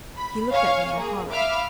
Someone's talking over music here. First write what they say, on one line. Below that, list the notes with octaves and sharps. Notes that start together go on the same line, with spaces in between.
He looked at me in horror.
B5
C#5 F5 G#5 C#6
A#3 G#4
E5 F5 B5 D6 F6